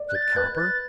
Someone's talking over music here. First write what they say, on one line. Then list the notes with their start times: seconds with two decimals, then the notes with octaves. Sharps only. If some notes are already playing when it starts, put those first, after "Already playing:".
"Is it copper?"
Already playing: D5
0.09 F#6
0.15 A6
0.36 B4 F#6
0.58 A6